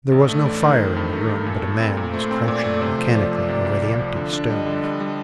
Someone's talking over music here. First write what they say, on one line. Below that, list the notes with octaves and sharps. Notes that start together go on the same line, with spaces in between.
There was no fire in the room; but a man was crouching, mechanically, over the empty stove.
A1 D4
A3
A1
D#3
A1 C5
G2
A3 A#4
G2
A#2 A4
A3
C4 A#4
A#2
A3 C5
C4
A#2 D5
A3
C3 C5
F3
F3 D5
C2
C3
C2
C2
F3
D3
D4
G3 D#5
D3
G3 D#5
G3